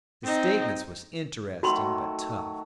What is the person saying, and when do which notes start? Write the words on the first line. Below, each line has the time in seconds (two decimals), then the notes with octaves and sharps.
The statements was interesting, but tough.
0.24 C4 D#4
1.63 D#3 F#3 A3 F#4 B5 C6